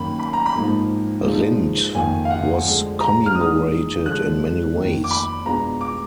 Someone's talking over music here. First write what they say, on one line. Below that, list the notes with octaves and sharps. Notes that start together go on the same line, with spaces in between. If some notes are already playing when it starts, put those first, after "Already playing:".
Rindt was commemorated in many ways.
Already playing: F#2 D#3 A#3 B5
B5
A#5
B5
G#2 F3 A#3 D#4
A#2 F3 G#3 D#4
F2 D#3 A#3 F4 G#5
F5
F#5
D3 F3 G#3
A#5
F6
A#2 G#3 D#4 D#6
D3 F3 G#3 F#6
F2 D#3 A#3
D6
B5
B2 G#3 B3 D4 F4 A#5
D6